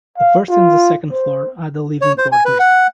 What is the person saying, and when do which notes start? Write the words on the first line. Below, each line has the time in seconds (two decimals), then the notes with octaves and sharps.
The first and the second floor are the living quarters.
0.18 F5
0.50 F4
1.12 C5
2.01 C#5
2.18 C5
2.32 G#5
2.45 B4
2.59 F#5